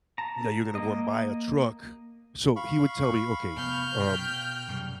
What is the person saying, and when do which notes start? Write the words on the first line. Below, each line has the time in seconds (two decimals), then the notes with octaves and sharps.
"Now you're going to go and buy a truck." So he would tell me, "Okay, um,
0.18 A5 A#5
0.75 A#3 D#5
2.56 F5 B5 C#6
3.57 F1 B3 F6 G6
3.99 B2 G5
4.68 F#2 C3 G3